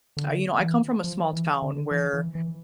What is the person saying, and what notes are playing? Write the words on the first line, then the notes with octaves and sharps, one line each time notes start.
uh, you know, I come from a small town where,
D3
E3
F3
E3
D3
E3
E3
E3